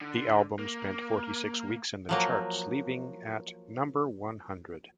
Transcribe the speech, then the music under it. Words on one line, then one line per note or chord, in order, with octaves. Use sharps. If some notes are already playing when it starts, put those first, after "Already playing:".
The album spent forty-six weeks in the charts, leaving at number one hundred.
D3
A#3
F3 F#3 A#3